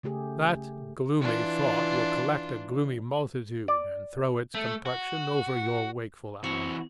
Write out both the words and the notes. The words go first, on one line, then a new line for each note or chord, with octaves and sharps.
That gloomy thought will collect a gloomy multitude and throw its complexion over your wakeful hour.
C#3 A3 G4 G#4
E3 D4 F4
D5
A3
F#4
E3 C4 F#4